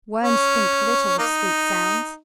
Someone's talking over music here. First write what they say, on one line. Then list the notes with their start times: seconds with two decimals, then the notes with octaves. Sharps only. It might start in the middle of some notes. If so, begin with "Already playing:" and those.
Worms think little of sweet sounds.
0.23 C#4
1.18 A#3 D#4